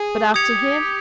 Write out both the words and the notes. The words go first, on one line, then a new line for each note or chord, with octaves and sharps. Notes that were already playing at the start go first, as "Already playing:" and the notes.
But after him?'
Already playing: G#4
G4 D#6 G#6 C#7 F7